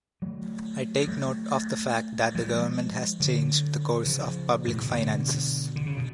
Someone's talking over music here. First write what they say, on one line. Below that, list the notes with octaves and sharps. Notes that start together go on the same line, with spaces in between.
I take note of the fact that the Government has changed the course of public finances.
F#3 A3
F#3 A3
F3 G#3
D3 F#3
C#3 F3
A2
B2
C#3
B2 D3
D3
C#3
B2